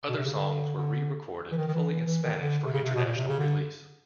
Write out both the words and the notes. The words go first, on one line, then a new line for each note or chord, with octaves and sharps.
Other songs were re-recorded fully in Spanish for international release.
B2
C3
C#3
D3
D3
E3
D#3
D#3
E3
E3
E3
D#3
D#3
D3
C3
C#3
C3
B2
A#2
C3
C#3
D3